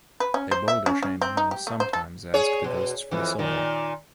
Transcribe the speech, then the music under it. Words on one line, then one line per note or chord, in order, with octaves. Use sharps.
A bolder shaman will sometimes ask the ghosts for the soul.
B4
C#4
C5
E5
C#4
C#4
C4
D#4
G4
A3
C5
A4
G#4 C#5
B2
F2 E3
A#2 D#3